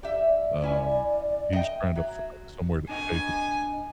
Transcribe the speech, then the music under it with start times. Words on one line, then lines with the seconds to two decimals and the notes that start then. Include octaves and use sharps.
um, he's trying to find somewhere to take it.
0.03 G4 D5 E5
0.28 D5
0.62 C#4 E4 G#5
1.53 D#5 E5 G5
1.95 F#3
2.89 D4 D#5 G5 G#5